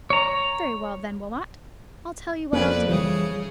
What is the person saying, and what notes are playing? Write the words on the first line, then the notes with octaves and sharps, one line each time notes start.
Very well, then, Wilmot, I'll tell you what I'll do.
C#5 A#5
F2 A#3 B4 D5
C#3 E3 G3 G#4